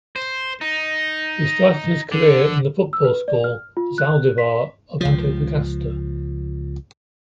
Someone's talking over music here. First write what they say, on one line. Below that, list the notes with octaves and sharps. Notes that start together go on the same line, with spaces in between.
He started his career in the Football School Zaldívar of Antofagasta.
C5
D#4
D3
E6
B4
D5
F6
F4
F#6
B6
C#2 F3